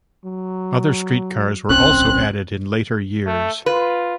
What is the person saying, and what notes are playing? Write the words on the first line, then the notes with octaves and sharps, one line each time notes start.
Other streetcars were also added in later years.
F#3
D1 B1 C4 C#4 F#6
A3
F4 B4